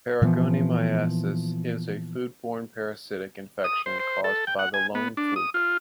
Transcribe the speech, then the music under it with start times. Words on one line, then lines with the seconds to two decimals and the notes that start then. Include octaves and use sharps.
Paragonimiasis is a food-borne parasitic infection caused by the lung fluke.
0.22 A#2 E3 F3 B3
3.64 D#6
3.86 C5
4.00 C5
4.24 A4
4.47 G5
4.59 F#5
4.74 G#5
4.95 B3
5.17 D4
5.36 D#6
5.54 F4